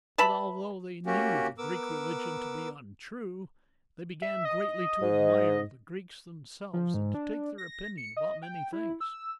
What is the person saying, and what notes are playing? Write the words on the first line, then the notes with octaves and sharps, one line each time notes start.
But although they knew the Greek religion to be untrue, they began greatly to admire the Greeks themselves, and to take their opinion about many things.
B4 E5 A5 B5
A#3 C#4 F#4 G4
B3 A#4 D6 E6
E5
D#5
G#2
F3
G#2
D4
A#6
C#7
D#5
G5
E4
E6